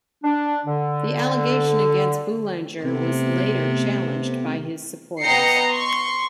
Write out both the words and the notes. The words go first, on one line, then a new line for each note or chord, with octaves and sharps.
The allegation against Boulanger was later challenged by his supporters.
D4
D3
C3 A3 B3 C4
B3 D#5 G5 A#5 C7 C#7
C6 C#6